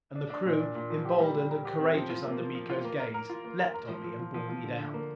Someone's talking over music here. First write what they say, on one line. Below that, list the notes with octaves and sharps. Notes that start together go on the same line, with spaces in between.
And the crew, emboldened and courageous under Miko's gaze, leaped on me and bore me down.
D4
D4
A#2
D4
A#2
F3
G4
G3
G3
A#4
G4
C4
F3
F4
A#3
F3
F3
F4
A#3
A#4
A#4
F4
A#3
A#4
A#4
F3
F3
F3
F3
F3
D3
D3
A#3